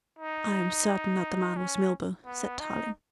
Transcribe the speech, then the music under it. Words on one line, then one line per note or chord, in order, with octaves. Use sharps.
"I am certain that the man was Milburgh," said Tarling.
D#4
C#4
B3
D#4